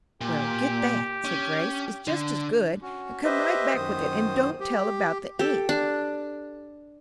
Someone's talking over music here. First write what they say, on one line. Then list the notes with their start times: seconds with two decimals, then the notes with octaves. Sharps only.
"Well, get that," said Grace, "it's just as good; and come right back with it, and don't tell about the ink."
0.21 A#2 G4
1.25 C#4
2.08 D3
2.82 C#4 F#4
3.24 G4 B4 C5 D#5 E5
3.76 F#2 D#3 C5 D#6
4.60 G4
5.39 G4 A4
5.69 D4